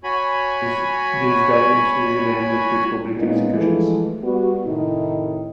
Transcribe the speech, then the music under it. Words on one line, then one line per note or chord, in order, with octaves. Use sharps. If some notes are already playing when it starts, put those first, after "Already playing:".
These gatherings usually ended with public executions.
F#4 C#5 G#5 B5
A#2 G#3 B3 C#4 D#4
E3 F3 G#3 A3
G3 B3 F#4
A2 C3 D#3 D#4 E4